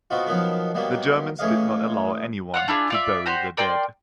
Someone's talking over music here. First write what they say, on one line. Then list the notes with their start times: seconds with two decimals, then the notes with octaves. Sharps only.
The Germans did not allow anyone to bury the dead.
0.10 B2 B3 C4 D#4 F4 F#4
0.26 B2 D#3 F3 F#3 B3 A#4
0.75 D#3 F#3 G3 A#3 B3
1.39 A2 E3 C#4 G#4 D#5 F5
2.54 F4 C#5 F#5
2.68 D4 E4 F4 G#4
2.90 F4 D5 E5
3.26 F#4 G4 C5
3.57 A#4 D5 G5 C6